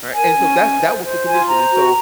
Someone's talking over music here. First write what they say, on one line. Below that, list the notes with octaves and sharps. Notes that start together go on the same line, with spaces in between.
Right? And so that that was the condition. And so
A#4 G#5
C#4
C#4
C5
C5
F4 G#5
C5 A#5
F#4